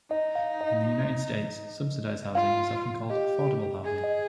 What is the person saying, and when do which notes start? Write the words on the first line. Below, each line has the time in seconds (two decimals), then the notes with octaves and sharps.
In the United States, subsidized housing is often called affordable housing.
0.11 D#4 D#5
0.35 F5
0.61 D#5
2.35 F4 F5
3.10 G4 D#5
3.84 G#4
4.04 D#5